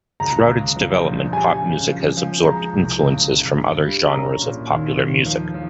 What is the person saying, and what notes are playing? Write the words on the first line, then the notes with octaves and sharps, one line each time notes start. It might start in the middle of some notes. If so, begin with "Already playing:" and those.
Throughout its development, pop music has absorbed influences from other genres of popular music.
C#2 A#5
C#2
F3
A#1
G3 G#5
C#3
F3
F3
G#3 A#5
C2
C#2
C#2
G2
G3
C#4 A#5
A#2
D#2
D#2
F3
F3